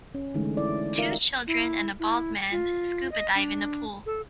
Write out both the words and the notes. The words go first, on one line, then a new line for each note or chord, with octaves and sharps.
Two children and a bald man scuba dive in a pool.
C#4
D3 E3 G#3 A3 D#4
E4 D5
D#4 F4 A#4 E5 F5
E4
E4
F4
D#5
D4
A4